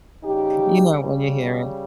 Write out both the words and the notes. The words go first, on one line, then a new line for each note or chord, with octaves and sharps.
You know it when you hear it.
C#3 G3 D#4 G4